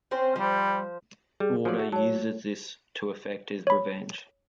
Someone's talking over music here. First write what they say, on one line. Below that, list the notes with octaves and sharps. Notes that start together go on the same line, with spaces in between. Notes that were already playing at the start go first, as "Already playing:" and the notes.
Waldo uses this to effect his revenge.
C4 C#4 C5
F3 G3 C5
G3 G#4
F3 F#3 D5
A3 F#4
F#3 C#5 A5
C#5 B5